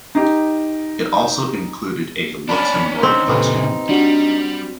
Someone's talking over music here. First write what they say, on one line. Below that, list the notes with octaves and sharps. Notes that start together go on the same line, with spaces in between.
It also included a Luxembourg platoon.
D#4 G4
C#4 D4 D5 A5 B5
D#3 B6
C4 D#4
A#2 C#3 G4 A4 B4
G3 D4 F#4 G4